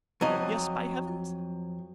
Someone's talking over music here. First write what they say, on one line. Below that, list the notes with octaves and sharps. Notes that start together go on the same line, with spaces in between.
Yes, by heavens!
F2 F#3 D#5